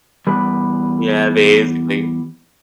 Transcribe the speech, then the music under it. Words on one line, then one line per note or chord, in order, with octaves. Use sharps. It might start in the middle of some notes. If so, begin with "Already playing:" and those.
Yeah, basically.
E2 G3 B4